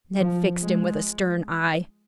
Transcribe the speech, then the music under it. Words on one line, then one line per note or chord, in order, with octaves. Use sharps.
Ned fixed him with a stern eye.
F3
G#3